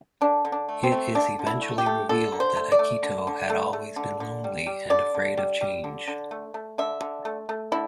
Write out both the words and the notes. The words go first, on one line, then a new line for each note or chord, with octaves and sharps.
It is eventually revealed that Akito had always been lonely and afraid of change.
D3 D4
D3
D4
A3
C4
A3
D3 D4
D3
E4
A3
G4
A3
D3 A4
D3
C5
A3
D5
A3
D3
D3
A3
A3
D3
D3
G3
G3
D3 D5
D3
G3
G3
D3
D3
A3
A3
D3 E5
D3
A3
A3
D3 E4